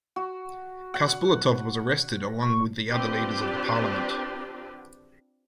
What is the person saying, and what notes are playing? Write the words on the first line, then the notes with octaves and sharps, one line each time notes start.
Khasbulatov was arrested along with the other leaders of the parliament.
F#4
F#5
C#6
C4 D4 F4 G4 B4 D5